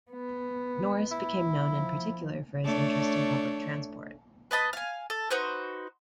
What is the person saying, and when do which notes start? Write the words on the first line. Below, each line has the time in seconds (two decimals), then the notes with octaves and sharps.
Norris became known in particular for his interest in public transport.
0.12 B3
1.12 E4
1.68 F3
2.64 A3 D4 C#5
4.51 B4 D#5 A5 B5
4.73 F5 G#5
5.10 A4
5.30 D#4 F#4 B4 C5